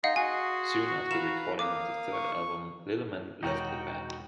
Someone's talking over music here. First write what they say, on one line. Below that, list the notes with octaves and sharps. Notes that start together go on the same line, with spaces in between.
Soon after the recording of the third album Lillman left the band.
D#4 G#4 D#5 F5 F#5 C6
F#4 G#5
B4 F5 A#5 E7
A#3 F5 D6 D#6
C#6
E1 D#4 F#4 A#4 C#5 G5 A#5